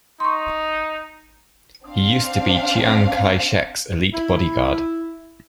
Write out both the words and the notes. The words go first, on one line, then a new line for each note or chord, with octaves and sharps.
He used to be Chiang Kai-shek's elite bodyguard.
D#4 C6 C#6
C4 D4 F5
E4